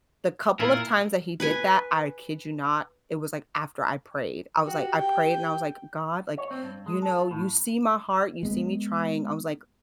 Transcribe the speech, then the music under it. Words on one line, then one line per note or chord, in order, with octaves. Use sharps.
The couple of times that he did that, I kid you not, it was, like, after I prayed. I was like, I prayed and I was like, "God, like, you know, you see my heart, you see me trying" I was like
A#2 E4 F4 A#4
B4 G#5
F#4 G4
G5
C#5
C4
G2
G#3
A4
F4
A2
G#3 B3